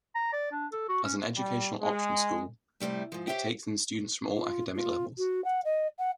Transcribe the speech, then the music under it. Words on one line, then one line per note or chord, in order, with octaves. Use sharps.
As an educational option school, it takes in students from all academic levels.
A#5
D5
D4
A4
F#4
C#4
G3
G#3
A2 C3 F#3 G3 A3
G#2 F3
G4 C5 C#5 E5 G5
F4
F4
F#4
F#5
D#5
F#5